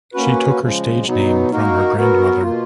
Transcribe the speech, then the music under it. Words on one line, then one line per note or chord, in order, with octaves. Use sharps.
She took her stage name from her grandmother.
A#3 C#4 F#4 B4
C#3 F3 G#3
B2 F#3 B3 D#4
A#3 D#4 F#4 A#4
F#3 B3 F#4 A#4
B2 A#3 F4